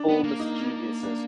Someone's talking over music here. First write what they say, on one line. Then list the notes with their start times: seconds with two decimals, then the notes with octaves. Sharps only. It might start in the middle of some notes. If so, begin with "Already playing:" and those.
full mischievousness.
Already playing: D4
0.09 B3
0.24 A#3
0.40 D#4
1.03 D4